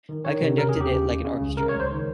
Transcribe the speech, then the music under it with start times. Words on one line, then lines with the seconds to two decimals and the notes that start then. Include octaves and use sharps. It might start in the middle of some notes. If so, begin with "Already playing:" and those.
I conducted it like an orchestra.
0.09 D#3
0.25 D#3 C#5
0.41 C3
0.58 C#3 A#4
0.69 G#4
0.75 D#2
0.80 G4
0.92 C#3
1.07 C#3
1.24 C#3
1.41 C#2
1.57 C#3 A#4
1.69 C#5
1.74 C#2
1.80 C5
1.91 D#3